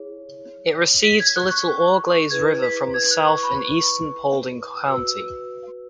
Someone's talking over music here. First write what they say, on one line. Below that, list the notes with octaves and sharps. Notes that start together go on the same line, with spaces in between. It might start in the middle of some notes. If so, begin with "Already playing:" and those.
It receives the Little Auglaize River from the south in eastern Paulding County.
Already playing: E4 G#4 C#5
B6
G#6
F#6
C#6
C#6
C#6
E4 G#4 B4 G#6
B6
G#6
F#6
C#6
B5
C#6
F#4 B4 E6